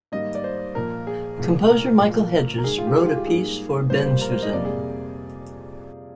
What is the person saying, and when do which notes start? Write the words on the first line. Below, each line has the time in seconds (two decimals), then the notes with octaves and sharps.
Composer Michael Hedges wrote a piece for Bensusan.
0.12 G#2 D#3 G3 A#3 D#5
0.35 D5
0.44 C5
0.75 A#2 F3 A#3 A#4
1.07 G#4
1.38 C2 A#2 G#3
1.70 A#4
2.01 A#2 F3 A#3
2.58 A#4
2.64 G#2 D#3 G#3 G#4
2.78 F4
2.87 G4
2.96 G#4
3.06 F4
3.17 G4
3.27 G#2 G3 A#3 G#4
3.90 A#2 G3 A#3 C5
4.06 C5
4.21 A#4
4.32 C5
4.42 D#5
4.53 F2 C3 G3 A#3 D5
4.65 G#4